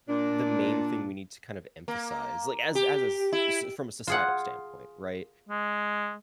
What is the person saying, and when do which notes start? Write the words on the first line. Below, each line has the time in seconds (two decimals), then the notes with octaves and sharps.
the main thing we need to kind of emphasize like, as as-s s from a societal standpoint, right?
0.09 A#2 D4
1.88 A#3
2.75 G4
3.33 E4
4.07 F4 G#4 F#5
5.49 G#3